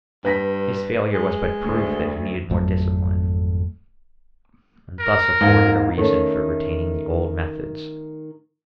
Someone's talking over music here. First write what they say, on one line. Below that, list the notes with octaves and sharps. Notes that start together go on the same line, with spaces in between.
His failure was but proof that he needed more discipline, and thus afforded a reason for retaining the old methods.
G2 B4 A#6 B6
G#3
D2
G#1 F2 F#3 A3
A#4
G#2 A#3
D#3 A3 C#4